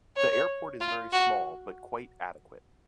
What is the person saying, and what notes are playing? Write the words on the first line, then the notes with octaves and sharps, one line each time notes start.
The airport is very small but quite adequate.
C#5
F4
F#4